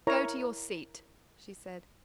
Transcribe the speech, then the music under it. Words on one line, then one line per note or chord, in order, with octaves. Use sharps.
"Go to your seat," she said.
E4 A#4 C#5 A#5